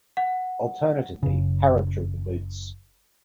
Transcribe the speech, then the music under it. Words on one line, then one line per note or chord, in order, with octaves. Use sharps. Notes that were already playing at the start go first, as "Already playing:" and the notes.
Alternatively, "paratrooper boots".
F#5
F#1 C#3